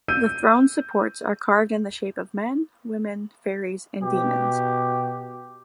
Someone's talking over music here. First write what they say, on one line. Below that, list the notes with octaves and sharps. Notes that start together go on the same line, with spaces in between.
The throne's supports are carved in the shape of men, women, fairies, and demons.
E6 G6 D#7
B2 G4